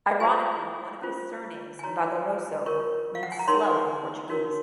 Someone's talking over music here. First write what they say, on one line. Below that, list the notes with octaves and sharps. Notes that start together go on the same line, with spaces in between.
Ironically, one of his surnames, "Vagaroso", means "slow" in Portuguese.
F4 C5 G#5
C#4 F4 C5
G#5
D#4 F#4 C#5 A#5
F4 A#4 C#5 C#6
F5
F#5
G#5
A#5
D#4 A#4 C#5 C6
D#4 F#4 A#4 C#5